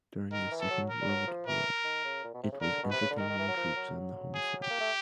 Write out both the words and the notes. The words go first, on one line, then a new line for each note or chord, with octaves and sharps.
During the Second World War it was entertaining troops on the home front.
D#3 A#4
E3
A4
F#3
A#4
G3
F#3
F3
E3 A#4
D#3
C#3
A#2
B2
C3
C#3
D3 A#4
B2
C3 B4
C#3
D3
D#3 A#4
D#3
E3
F#3
F3
F#3
G#4
G4
A#3
A3